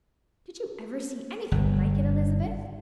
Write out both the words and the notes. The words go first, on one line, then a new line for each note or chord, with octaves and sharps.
"Did you ever see anything like it, Elizabeth?"
G1